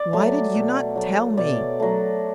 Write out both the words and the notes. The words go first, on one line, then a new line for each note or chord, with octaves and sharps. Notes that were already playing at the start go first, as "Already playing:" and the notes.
"Why did you not tell me?"
Already playing: D5
F#3 A3
B2
F#3 A3
B2 D5
F#3 A3